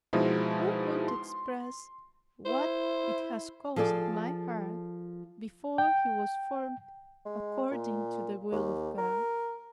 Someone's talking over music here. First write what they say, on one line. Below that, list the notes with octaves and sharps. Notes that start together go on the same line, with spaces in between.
Who could express what it has cost my heart before he was formed according to the will of God?
B2 F3 G#3 D#4 E4
C6
E4 C5
F3 G#4 A4 D5
G5
G#3
A#2
D#2
A#4